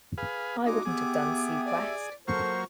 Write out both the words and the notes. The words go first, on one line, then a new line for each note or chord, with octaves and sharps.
I wouldn't have done "seaQuest".
G#4 B4 F5
D4 D#4 F4 F#4 G#5 D6
B3 G4 G#4 E5
D5
F#3 A#3 A4 A#4 C5 C#6